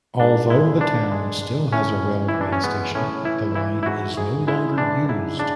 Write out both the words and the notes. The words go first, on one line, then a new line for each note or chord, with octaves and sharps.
Although the town still has a railway station the line is no longer used.
G#2 D4
G#3 E4
G#2 D4
G#3
G#3
A2 C#4
E3
E4
E3
D4
C#4
G#3 B3
A2 C#4
E3 E4
E3 E4
E4
G#2 F#4
G#2 G#4
G#3 E4
E3 D4
G#2 E4
C#3 D4